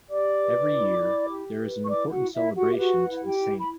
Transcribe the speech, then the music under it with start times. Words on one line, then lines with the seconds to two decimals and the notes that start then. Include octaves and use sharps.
Every year, there is an important celebration to the Saint.
0.09 G4 D5 D6
0.39 B4
0.69 E4
0.99 E4
1.29 G4
1.58 B4
1.84 C#6
1.88 E4 D5 D6
2.11 F#4 F#5
2.19 E4
2.33 E4 E5
2.49 G4
2.56 F#4 F#5
2.74 E5
2.77 F#4 B4 F#5
3.08 E4
3.16 F#5
3.22 G4 G5
3.38 E4
3.59 B5